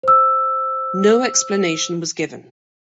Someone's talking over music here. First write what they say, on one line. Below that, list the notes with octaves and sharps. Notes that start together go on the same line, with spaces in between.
No explanation was given.
C5 E6